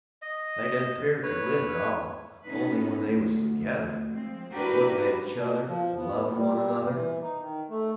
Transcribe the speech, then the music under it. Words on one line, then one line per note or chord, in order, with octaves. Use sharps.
They didn't 'pear to live at all, only when they was together, looking at each other, loving one another.
D#5
B4 C#5
B3 C#4 D#4 B4
D2
F3 G#3 C4
D4 E4 F#4 G4 A#4 B4
B2
F3
B3
G3
G2
E3
D#4
D#3
A3